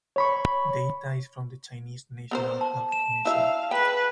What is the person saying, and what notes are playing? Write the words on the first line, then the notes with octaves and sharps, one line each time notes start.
Data is from the Chinese National Health Commission.
C#5 B5 C#6
B3 A#4 C5
A5
E7
E4 E5 F5
G#4 B4 G5